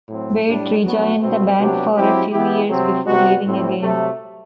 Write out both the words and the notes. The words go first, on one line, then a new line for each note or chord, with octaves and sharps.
Wade rejoined the band for a few years before leaving again.
A2 F#3 C4
A2 G3 D4
F#3 B3 D4 F#4
B2 A3 C4
C3 F#3 B3 D4 G4
F#3 C4 E4 G4
E3 B3 E4 G4
C3 F#3 C4
C3 G3 B3 F#4
A2 G3 C4
C3 F#3 A3